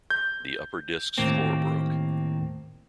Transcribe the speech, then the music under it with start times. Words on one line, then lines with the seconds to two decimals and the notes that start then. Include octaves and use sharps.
The upper disc's floor broke.
0.10 G6
1.18 D#2 A2 A#3 C4